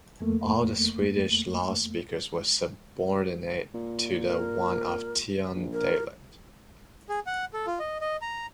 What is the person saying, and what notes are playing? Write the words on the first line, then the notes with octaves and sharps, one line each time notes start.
All the Swedish lawspeakers were subordinate to the one of Tiundaland.
F2 A3 A#3
A#2
A#4
A#1
A#4
G#4
F#5
A4
F4
D#5
D#5
A#5